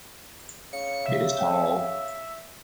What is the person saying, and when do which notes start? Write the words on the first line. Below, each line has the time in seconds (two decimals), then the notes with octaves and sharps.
It is tall.
0.73 C#3 C#7
1.06 E5